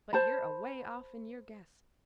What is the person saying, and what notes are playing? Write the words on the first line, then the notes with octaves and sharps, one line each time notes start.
But you're away off in your guess.
C5 A5 B5